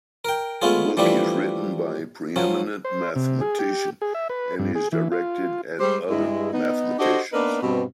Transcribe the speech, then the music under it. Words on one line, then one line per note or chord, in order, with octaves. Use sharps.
The book is written by a pre-eminent mathematician, and is directed at other mathematicians.
A#4 G5
G#3 A3 B3 C#4 F4 G#4
E3 F3 G3 A3 D4 B4
F3 F#3 C#4
C5
C3
G#4
G4
G#4
E5
B4
G2
G#4
E3
F4
G3 G#3 G4 C5
G2 G#3 E4
B3 D#4
D4 F#4 G4 A4 C5 D#5
A#3 B3 D4 D#4 A#4 B4
G2 B2 C4